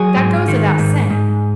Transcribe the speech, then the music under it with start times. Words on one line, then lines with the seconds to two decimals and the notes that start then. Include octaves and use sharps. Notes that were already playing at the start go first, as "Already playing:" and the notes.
That goes without saying.
Already playing: F#3 G#4
0.16 G#2
0.48 D#3
0.79 G#2
1.10 G#2